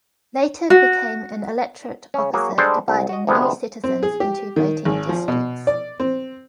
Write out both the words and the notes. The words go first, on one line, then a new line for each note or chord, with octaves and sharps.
Later became an electorate officer dividing new citizens into voting districts.
F#4
C#3 C#4
F#3 A#3 F#4 G#4
G3 G#3 D4 A4 C5 D5
C2
F#4 D#5
D2 C3 F3 G#3 B3
C4
G#4
G4
D#3
G#1
F3
B2
D5
C4